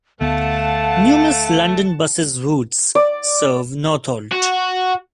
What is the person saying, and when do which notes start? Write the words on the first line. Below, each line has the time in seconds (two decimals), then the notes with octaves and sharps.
Numerous London Buses routes serve Northolt.
0.21 D2 A3 B3 F5 F#5 A5
2.95 D5
4.32 F#4